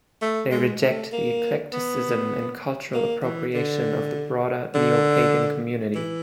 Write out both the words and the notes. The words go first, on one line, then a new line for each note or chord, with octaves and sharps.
They reject the eclecticism and cultural appropriation of the broader Neopagan community.
A3
G#3
A3
A#3
B3
A#3
E3
D3
D3
E3